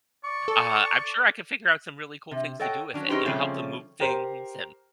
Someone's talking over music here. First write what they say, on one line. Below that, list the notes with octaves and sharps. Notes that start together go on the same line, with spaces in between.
uh, I'm sure I can figure out some really cool things to do with it, you know, help them move things and
D5 C#6
A4
C3
A4 C#5 D#5 F#5 G5
F#3 C#4 D4
C#4 D#4 G4 G#4 B4 C5
C#3 F3 G3 A3 C4 C#4
G4 A#4 C5